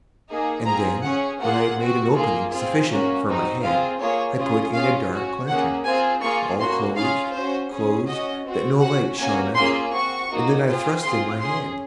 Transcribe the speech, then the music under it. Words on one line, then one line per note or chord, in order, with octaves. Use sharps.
And then, when I had made an opening sufficient for my head, I put in a dark lantern, all closed, closed, that no light shone out, and then I thrust in my head.
A#3 D#4 G#4
C4 F4 G#4 A#5
C#4 G#4 F#5
A#3 F4 G#4 F#5
C4 F#4
A#3 F4 G#4
C4 F4 G#4
A#3 C#4 F#4
C4 D#4 F#4
C4 F4 G#4 F5
A#3 F4 G#4 C#5
C#4 F4 G#4
C#4 F4 G#4 F5
C#4 F#4
A#3 C#4 G#4 F#5
C4 F4 G#4 G#5
A#3 F4 G#4 C#6
A#3 C#4 F#4 C6
C#4 F4 G#4 F5
C#4 F#4 C5
C#4 G#4
C#4 F#4 D#5
C4 F#4
C#4 F#4 F#5
A#3 C#4 F#4 G#5
A#3 C#4 F4 G#4 C6
C4 F#4 C#6
A#3 D#4 F#4
C4 F4 G#4
C4 F4 G#4 C6
C#4 G#4 C6